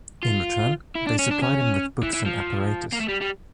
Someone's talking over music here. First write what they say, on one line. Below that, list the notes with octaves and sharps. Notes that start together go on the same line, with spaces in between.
In return, they supplied him with books and apparatus.
F4
E4
D4
C#4
D4
C#4
E3
E3
F3
A#3
A3
G3
G3